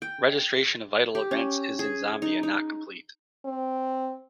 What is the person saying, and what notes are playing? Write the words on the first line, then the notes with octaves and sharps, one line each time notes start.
Registration of vital events is in Zambia not complete.
G5
G4
C#4
G#4
D#4
D#4
C4